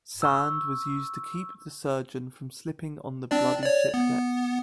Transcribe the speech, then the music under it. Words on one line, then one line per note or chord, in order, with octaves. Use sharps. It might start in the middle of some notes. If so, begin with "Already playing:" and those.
Sand was used to keep the surgeon from slipping on the bloody ship deck.
C#6 E6
C4 D4 D5
C#5 D5
B3